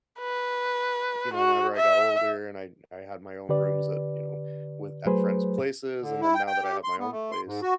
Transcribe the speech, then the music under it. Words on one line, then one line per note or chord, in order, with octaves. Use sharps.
you know, whenever I got older and I I had my own rooms at you know, with at friends' places, and then now that I have my own place,
B4
F#4
E5
D3 G4 B4 D5
F#3 A3 G#4 B4 C5
D3
E4
G5
G5
G4
C6
B3
A3
C6
G#2
F#4